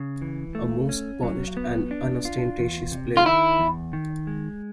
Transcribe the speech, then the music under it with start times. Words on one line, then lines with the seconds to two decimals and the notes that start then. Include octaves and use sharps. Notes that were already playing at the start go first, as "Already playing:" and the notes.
A most polished and unostentatious player.
Already playing: C#3
0.22 E3
0.55 A3
0.89 C#4
1.23 F#3
1.57 B3
1.91 D4
2.25 F4
2.59 E2
2.92 C3
3.17 F4
3.26 D#3 E4
3.59 E2
3.93 D#3
4.27 G#3